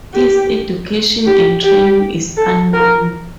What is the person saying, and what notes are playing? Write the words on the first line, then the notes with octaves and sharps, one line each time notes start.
His education and training is unknown.
G4
G4
G4
A4
A#4